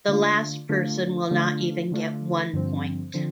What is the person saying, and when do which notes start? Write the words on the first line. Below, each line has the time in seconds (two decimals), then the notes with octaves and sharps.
The last person will not even get one point.
0.08 D3 A3 D4 F4
0.69 D3 A3 D4 F4
1.30 D3 A3 D4 F4
1.92 D3 A3 D4 F4
2.53 G2 D3 F3 C4
3.14 D3 F3 C4